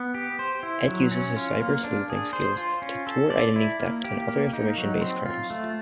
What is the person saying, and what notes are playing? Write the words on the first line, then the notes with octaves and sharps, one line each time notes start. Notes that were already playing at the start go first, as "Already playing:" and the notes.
Ed uses his cyber sleuthing skills to thwart identity theft and other information-based crimes.
Already playing: B3
G4
C5
E4
F#3
C#4
F4
A#3
D4
G#4
C5
F4
C#4
A4
D5
E4
A#3
G4
A#3
D#4
F#3
C4
F4
A3